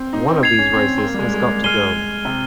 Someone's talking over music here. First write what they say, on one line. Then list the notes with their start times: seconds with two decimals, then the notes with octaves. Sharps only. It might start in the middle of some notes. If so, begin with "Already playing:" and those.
One of these races has got to go.
Already playing: C4
0.13 D#4
0.28 C4
0.43 G#6 C7 F7
0.59 C#4
0.74 C4
0.98 C4
1.03 A#3
1.14 G3
1.19 G#3
1.34 G#3
1.49 A#3
1.64 G#3 F6 C7 D#7 G7
2.25 C3